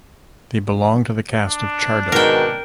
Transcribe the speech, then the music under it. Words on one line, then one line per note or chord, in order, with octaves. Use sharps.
They belong to the caste of Chardo.
D4
G#2 B2 D#3 A#4 G5